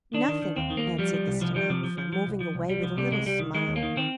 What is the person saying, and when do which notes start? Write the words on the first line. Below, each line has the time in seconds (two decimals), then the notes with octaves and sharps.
"Nothing," answered the stenographer, moving away with a little smile.
0.14 D#3 D4
0.28 D#3
0.42 D#3
0.56 D#2 C4
0.70 D#3
0.77 A#3
0.85 D#2
0.98 F3 G3
1.14 F3
1.28 C2
1.41 C2 F3
1.55 F3 G3
1.70 C3 F3
1.84 F3
1.98 F3
2.13 F3
2.27 C2
2.41 F3
2.55 C2
2.69 C2 G3
2.83 C2 F3
2.97 C3 G3
3.11 C2 G#3
3.26 C2 G3
3.39 D#3
3.54 D#3 G#3
3.68 D#2
3.76 A#3
3.83 D#3
3.97 D#3 C4